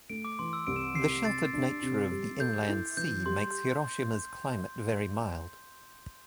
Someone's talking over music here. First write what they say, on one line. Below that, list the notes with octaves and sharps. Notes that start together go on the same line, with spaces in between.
The sheltered nature of the Inland Sea makes Hiroshima's climate very mild.
A3 D7
D6
E3 C6
E6
C2 D7
E7
D7
C3 C7
C3 A6
D4
C3
G3
A4 G6
E4
E3 G6
G3 C6